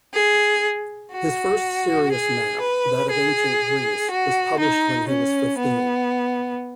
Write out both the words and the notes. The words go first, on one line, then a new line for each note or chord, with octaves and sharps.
His first serious map, that of Ancient Greece, was published when he was fifteen.
G#4
F#4
G#4
B4
G#4
F#4
D#4
C#4
B3